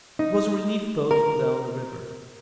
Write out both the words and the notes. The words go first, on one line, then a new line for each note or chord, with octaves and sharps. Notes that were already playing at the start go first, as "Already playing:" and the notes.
It was a relief-boat from down the river.
D#4
A#4